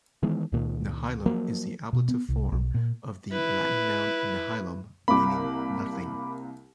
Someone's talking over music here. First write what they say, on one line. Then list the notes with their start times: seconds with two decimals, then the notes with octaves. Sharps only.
'Nihilo' is the ablative form of the Latin noun 'nihilum' meaning 'Nothing'.
0.23 D#3 E3 G#3 B3
0.52 C#2 A#2 D#3
1.26 F3 F#3 A#3
1.93 B2
2.08 B3
2.29 C2
2.52 B1
2.74 A#2
3.32 E4 B4
5.08 C2 A#3 B5 D6